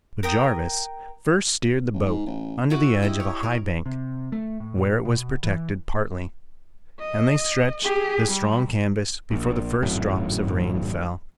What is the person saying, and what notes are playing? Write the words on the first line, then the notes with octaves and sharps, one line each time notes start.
But Jarvis first steered the boat under the edge of a high bank, where it was protected partly, and they stretched the strong canvas before the first drops of rain fell.
A#4 G5 D#6
A1
G#2
A1
E4 F#4 B4
E4 G4 D#5
C#5
A#4
C3
A3
A2
A#2
B2
E3
D#5
G4 G#4
G3
A#1
G#1 F#2 A2